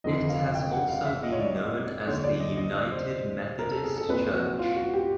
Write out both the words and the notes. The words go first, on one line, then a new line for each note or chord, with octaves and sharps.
It has also been known as the United Methodist Church.
F1 F2 D3 D#5
F5
G5
F#5
F5
E5
D#5
C#5
D5
D#2 D3 C#5
D5
D#5
D#5
D5
C5
A#4
A4
G#4
A4
C2 A#2 B4
F#4
F4
F#4
G4